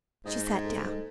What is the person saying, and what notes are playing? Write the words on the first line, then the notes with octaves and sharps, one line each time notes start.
She sat down.
G#2 D#5
A4
A4